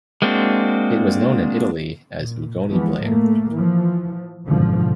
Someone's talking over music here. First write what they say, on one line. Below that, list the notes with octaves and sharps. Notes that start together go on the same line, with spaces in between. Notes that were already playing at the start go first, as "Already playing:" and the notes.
It was known in Italy as Ugone Blair.
G#3 A#3 C4 D4 F#4
A#2
E3 F3 G#3 B3
A2 A3 A#3
E3 F3
G#1 F#2 B2 D3 F3